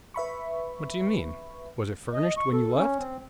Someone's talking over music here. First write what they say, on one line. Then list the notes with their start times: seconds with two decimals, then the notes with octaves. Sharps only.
'What do you mean?--was it furnished when you left?'
0.14 B4 E5 B5 C#6
2.14 D#5
2.37 C#6
2.53 A4
2.76 C#4
2.98 C4